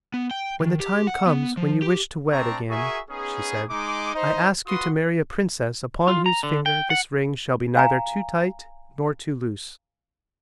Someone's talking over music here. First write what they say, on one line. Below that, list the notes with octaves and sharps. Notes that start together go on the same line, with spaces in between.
"When the time comes when you wish to wed again," she said, "I ask you to marry a princess upon whose finger this ring shall be neither too tight nor too loose."
B3
G5
D#3
G4
F#5
B3
F3
G4
A3 C4 D4 A5 A#5 C#6
F#4 G#4 A#4 E5 G#5 C#6
B3 C#4 D#4 G#4
G#3 D#4 D6
D#4 C5 D#5
F4 F#4 B4 F#5 C6 D#6
F4
A#5
D3
G5
F#5
F5 G#5 A#5